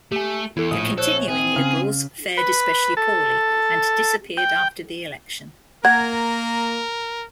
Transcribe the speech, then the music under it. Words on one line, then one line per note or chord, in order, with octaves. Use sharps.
The Continuing Liberals fared especially poorly, and disappeared after the election.
A3 G4 G#5
E2 E4 A4
A#1 A2 D#6
A4 C5 C#5 F#6
C4 G#4
C#3 F6
B4
A4
G5
A#3 A#4 F#5 G#6